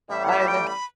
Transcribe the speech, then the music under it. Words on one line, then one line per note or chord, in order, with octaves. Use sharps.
I know.
A1 A2 G3 E5
F#5
E5
G5
B5